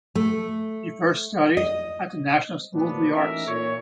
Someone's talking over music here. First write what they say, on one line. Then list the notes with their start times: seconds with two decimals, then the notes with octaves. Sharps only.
She first studied at The National School of the Arts.
0.15 A3
1.57 D#5
2.74 A2 F3 F#3 A#3 B3 D4
3.12 E3 A3 C#4 D#4 A#4 E5
3.46 A#2 C#5